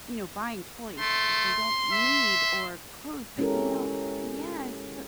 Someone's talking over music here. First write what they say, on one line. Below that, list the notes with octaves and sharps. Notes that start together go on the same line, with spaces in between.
you know, buying toys that they don't need, or clothes that, you know Yes, the
A3 C6
E5
G#3 C#4 E4 G4 A4 A#4